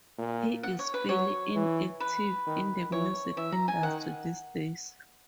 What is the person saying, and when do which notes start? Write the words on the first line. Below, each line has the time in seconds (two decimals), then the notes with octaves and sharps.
He is fairly inactive in the music industry these days.
0.18 A#2
0.63 F#5
0.79 C#5
0.94 B4
1.09 F#3 C#5
1.55 E3
2.00 B4
2.47 D#3
2.92 E3 C#5
3.37 E3 E5
3.52 A#5
3.68 G#5
3.82 D#3 F#5